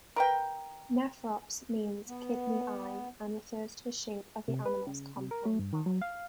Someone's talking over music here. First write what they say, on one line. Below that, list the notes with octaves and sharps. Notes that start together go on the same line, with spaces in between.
"Nephrops" means "kidney eye" and refers to the shape of the animal's compound eye.
A#4 B4 G5
B3
C3
B4
C#3
C3
A#4
A3
G2
D#3
F#3
F5